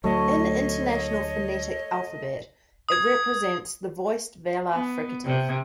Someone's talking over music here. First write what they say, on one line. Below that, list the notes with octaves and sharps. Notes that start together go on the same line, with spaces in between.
In International Phonetic Alphabet, it represents the voiced velar fricative.
D2 F#3 A3 C#5 D#5
D#6 G#6
B3
C3